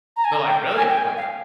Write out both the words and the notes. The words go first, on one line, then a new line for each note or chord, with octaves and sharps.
They're like, "Really?" I'm like, "Okay.
A#5
G#5
A#5
G5
G#5
G5
G#5
F5